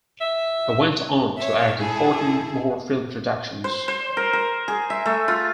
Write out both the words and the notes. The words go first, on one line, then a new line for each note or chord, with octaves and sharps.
He went on to act in fourteen more film productions.
E5
C#5 E5
E4 G#4 A4
C5
C5
A#4
A#4
G#4
E5
A3
F4